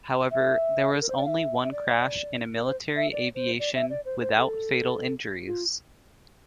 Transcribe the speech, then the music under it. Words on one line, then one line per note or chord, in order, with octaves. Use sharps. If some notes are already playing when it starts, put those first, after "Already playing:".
However, there was only one crash in a military aviation, without fatal injuries.
E5
A4
A#4
C5
D5
F5
E5
E5
D5
A#4
C5
E5
D5
C5
D5
E5
D5
C5
C5
A4
F4